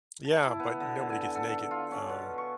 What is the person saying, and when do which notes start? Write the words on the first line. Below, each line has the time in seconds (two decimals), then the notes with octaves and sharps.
Yeah, but nobody gets naked. Um
0.25 A5
0.46 E4
0.60 B3
0.80 D3
1.10 G#5
1.35 A4
1.71 F4
1.92 C#4
2.09 B2
2.38 C#6